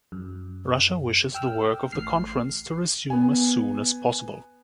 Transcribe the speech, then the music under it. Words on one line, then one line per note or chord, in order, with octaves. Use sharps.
Russia wishes the work of the Conference to resume as soon as possible.
F#2
G5 E6 F6
A1 A2 F6 C7
B3 G#5